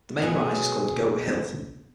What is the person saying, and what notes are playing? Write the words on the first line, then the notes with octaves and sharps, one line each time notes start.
The main rise is called Goat Hill.
B2 F#3 G#3 G#4